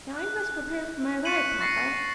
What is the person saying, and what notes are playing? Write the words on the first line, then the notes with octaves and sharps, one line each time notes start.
Now I must prepare for my ride, papa.
F#6
C#6 F#6 B6 C#7 D#7 F#7
C#6 A6 A#6 C7 C#7